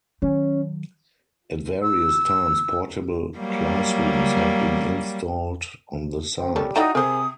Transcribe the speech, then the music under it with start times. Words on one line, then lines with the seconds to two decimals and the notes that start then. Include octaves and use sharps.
At various times portable classrooms had been installed on the site.
0.22 D#3 F#3 C#4
1.82 E6
3.39 F#3 G3 A#3
6.39 C4
6.56 D#3 G3 C#4 A4
6.76 D#4 E4 F#4 D5 G5 A#5 D#6
6.95 C3 G#4 A#4 C5 D#6